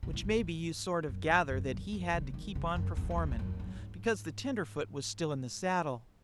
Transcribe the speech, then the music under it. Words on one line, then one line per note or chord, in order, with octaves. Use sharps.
Which maybe you sort of gather that he had to keep on performin', because the tenderfoot was still in the saddle.
B2
A2
G#2
F#2
G#2
F#2
E2
F#2
F#2
C#3
D#3
C#3
F#2
E2
F#2
E2
E2
F#2
G#2